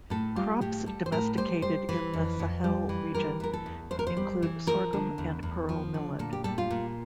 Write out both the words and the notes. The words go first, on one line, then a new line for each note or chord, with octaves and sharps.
Crops domesticated in the Sahel region include sorghum and pearl millet.
A2 A4
G3 F4
A2 G4
G3 A4
C5
A2 A#4
G3 C5
G3 C5
E3
F2
F2
G3
E3
G3 A#4
E3 A#4
A4
E2
E2 C5
A#4
C5
G3
E3
F3 A#4
D3
E2
E2
F3
D3
A#2 A4
G4
G3 A4
F4
A#2